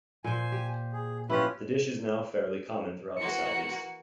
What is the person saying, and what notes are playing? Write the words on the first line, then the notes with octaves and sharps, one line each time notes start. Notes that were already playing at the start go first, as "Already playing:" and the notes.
The dish is now fairly common throughout the Southeast.
A#2 C5 G#5
G4
G#4
C#4 E4 F4 G4 B4
E3 A#3 F#4 C#7